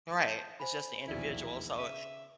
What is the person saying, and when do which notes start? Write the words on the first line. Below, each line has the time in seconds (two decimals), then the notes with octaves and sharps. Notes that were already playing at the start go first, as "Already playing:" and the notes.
Right. It's just the individual. So
0.19 A5 G6
0.60 C5 G#5 B5
1.08 E1 A#1 D#2 E4
1.78 C#3 E5 D#7